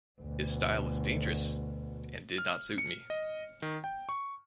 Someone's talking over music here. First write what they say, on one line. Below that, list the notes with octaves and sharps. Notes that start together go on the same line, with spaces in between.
His style was dangerous and did not suit me.
D2 B2
F6
C#7
D#5
D#3
G5
C#6